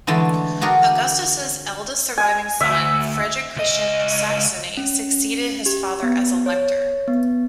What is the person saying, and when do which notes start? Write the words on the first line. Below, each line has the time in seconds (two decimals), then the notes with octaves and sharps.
Augustus's eldest surviving son, Frederick Christian of Saxony, succeeded his father as Elector.
0.07 D3 E3 G#3 A3
0.61 D4 F#4 G#4 A#4
2.18 G#5
2.61 D2 E5
3.56 C#2 D#5
4.77 C#4
5.66 G4
6.03 B3
6.46 C#5
7.08 B3